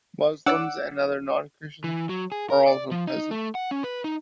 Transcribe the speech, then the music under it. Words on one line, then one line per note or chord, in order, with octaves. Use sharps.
Muslims and other Non-Christians are also present.
D4 C#5 D5 F#5 D6 E6
E3
F#3
G#4
A#4
D5
F3
D#4
A3
F#5
C#4
B4
D#4